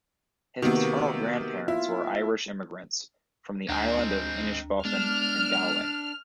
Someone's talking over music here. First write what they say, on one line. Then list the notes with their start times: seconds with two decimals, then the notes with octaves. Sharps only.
His paternal grandparents were Irish immigrants, from the island of Inishbofin in Galway.
0.62 C3 D#3 A#3 B3 F#4
1.68 E4 F4
3.69 D2 G#3 C4 D4 A#5
4.85 G#3 B3 D4 F6